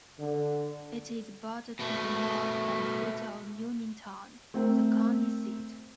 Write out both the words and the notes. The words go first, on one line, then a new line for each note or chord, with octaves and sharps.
It is bordered to the north by the city of Uniontown, the county seat.
D3
B2 A3
A3 C4 A#4